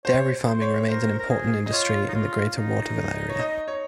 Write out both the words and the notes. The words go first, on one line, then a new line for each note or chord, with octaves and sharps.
Dairy farming remains an important industry in the greater Waterville area.
C5 C#5
C5
C#5
A#4 C5
A#4
G#4
D#5
F4 C#5
D#4
F4
D#4
C#5
D#5
C#5